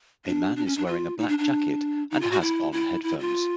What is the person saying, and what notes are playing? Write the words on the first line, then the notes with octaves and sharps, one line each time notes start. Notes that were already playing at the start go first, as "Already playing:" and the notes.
A man is wearing a black jacket and has on headphones.
D4
D4
C#4
D4
F4
D#4
D4
D4
D#4
F4
F#4
E4
E4
E4
F4